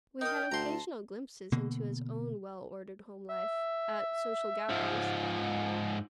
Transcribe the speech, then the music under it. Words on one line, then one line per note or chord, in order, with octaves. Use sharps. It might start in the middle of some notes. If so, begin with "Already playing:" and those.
We had occasional glimpses into his own well-ordered home-life, at social gatherings.
D#4 A#4 G5 D#6
D2 A5 A#5 C6
B2 D3 A#3
E5
G#2 F3